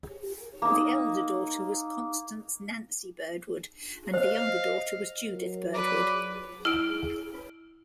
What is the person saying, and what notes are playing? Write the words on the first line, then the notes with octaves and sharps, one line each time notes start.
The elder daughter was Constance 'Nancy' Birdwood, and the younger daughter was Judith Birdwood.
A#3 D#4
C5 D#5 F5
F#3 A#4
B4 D5 D6
E4 F6 D7